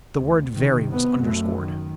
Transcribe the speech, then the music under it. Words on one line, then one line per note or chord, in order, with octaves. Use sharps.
The word 'very' was underscored.
D2
C3 D#3
C3 B3
F#2 A3
D#3